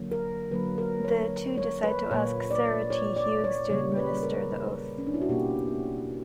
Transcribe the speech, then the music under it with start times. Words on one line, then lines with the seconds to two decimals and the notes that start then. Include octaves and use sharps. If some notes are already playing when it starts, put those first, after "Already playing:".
The two decide to ask Sarah T. Hughes to administer the oath.
Already playing: D3 F#3 A#3
0.11 A#4
0.51 D3 F#3 A#3 B4
0.78 A#4
1.05 C#5
1.57 C#5
1.84 B4
2.11 A#2 A#3 C#5
2.51 D5
2.90 C#5
3.16 D5
3.44 C#5
3.70 C#3 G3 A#3 C#5
3.96 B4
4.23 A#4
4.98 C#4
5.07 D4
5.14 E4
5.22 F#4
5.29 B2 A#3 G4